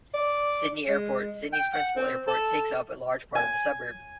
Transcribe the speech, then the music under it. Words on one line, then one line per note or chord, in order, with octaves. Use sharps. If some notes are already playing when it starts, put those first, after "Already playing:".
Sydney Airport, Sydney's principal airport, takes up a large part of the suburb.
D5
G#3
G5
F#5
C4
A4
G#5